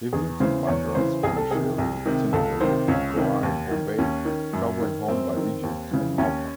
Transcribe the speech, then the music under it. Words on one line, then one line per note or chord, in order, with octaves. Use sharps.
He visited Madras, Pondicherry, Tinnevelly, Goa and Bombay, travelling home by Egypt and Malta.
E2 G#4
C#3 E3 C5
E2 C#5
C#3 E3 C5
C2 G#4
A4
C3 D#3 G#4
C2
C3 D#3
C#2 A4
C3 D#3 C5
C#2 C#4
C3 D#3
D#2
D#3
D#2 C#4
D#3
F#2
D#3
F#2 C4
D#3
D#2
C#3 E3
D#2 C#4